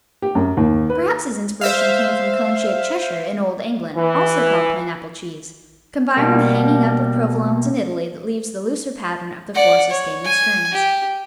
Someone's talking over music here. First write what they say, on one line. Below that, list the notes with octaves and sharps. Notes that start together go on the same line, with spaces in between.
Perhaps his inspiration came from cone-shaped Cheshire in old England, also called Pineapple cheese, combined with the hanging up of Provolones in Italy that leaves the looser pattern of the four sustaining strings.
G4
F#2
D#2
B4
C5 E5 F5
E3
B2 G3 A#3
D5 F#5
C#5
G#5
G4